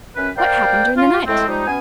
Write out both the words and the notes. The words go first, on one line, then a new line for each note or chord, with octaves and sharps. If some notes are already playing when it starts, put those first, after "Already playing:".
What happened during the night?
F#2 C#4 B4
C4 A#4 D5 F5 G5
F4
A2 G#3 C4
F3 G3 G#3 D#4
B2 B3 C#4 G#5